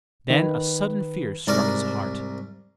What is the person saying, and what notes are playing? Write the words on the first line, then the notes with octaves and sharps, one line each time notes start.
Then a sudden fear struck his heart.
D#3 B4
C2 G#2 A#4 D5